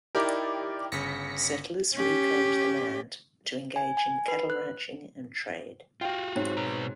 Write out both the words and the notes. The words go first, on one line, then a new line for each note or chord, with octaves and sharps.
Settlers reclaimed the land to engage in cattle ranching and trade.
D#4 E4 G4 A#4 D5
G1 C#3 A#6 B6 C#7
C#4 G4
G#5
G#5
B4
F#6
F4 F#4 F5 G5
G#2 F#3 C4
B2 B4 A#5